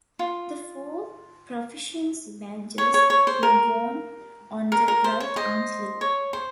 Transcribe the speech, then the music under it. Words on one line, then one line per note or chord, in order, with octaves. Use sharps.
The four "proficiency" badges were worn on the right arm sleeve.
F4
C#5
C#5
C#5
C5
A#4
A#4
A#4
C5
C#5
C5 D#5
C#5
C5